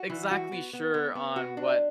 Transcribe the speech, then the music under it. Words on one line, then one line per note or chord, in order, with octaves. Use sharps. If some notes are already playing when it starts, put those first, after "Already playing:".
exactly sure on what
Already playing: F#4
E3
F#4
B3
B3
B3
B3
F#4
D4